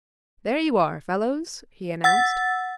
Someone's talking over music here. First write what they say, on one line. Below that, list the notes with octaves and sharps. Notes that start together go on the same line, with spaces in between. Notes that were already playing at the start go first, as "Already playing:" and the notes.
"There you are, fellows!" he announced.
F#5 E6 A6